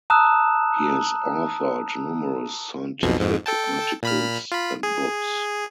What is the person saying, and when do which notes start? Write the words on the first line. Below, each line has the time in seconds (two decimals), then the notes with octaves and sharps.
He has authored numerous scientific articles and books.
0.10 A5 A#5 D#6 E6 F#6 E7
3.02 B1 F2 B2
3.20 F2 G#2
3.46 A4 G5 A5
4.03 A#2 B5 F6
4.52 F4 B5
4.83 G#4